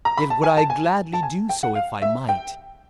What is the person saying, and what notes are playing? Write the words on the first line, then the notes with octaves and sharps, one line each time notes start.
Yet would I gladly do so, if I might.
A#5
B5
A5
G#5
A5
G#5
A5
G#5
G5
F#5
F5
E5
G5